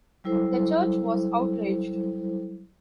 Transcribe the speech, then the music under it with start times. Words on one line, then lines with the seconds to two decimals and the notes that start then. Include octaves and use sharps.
The church was outraged.
0.24 F#3 G3 E4 A4 C5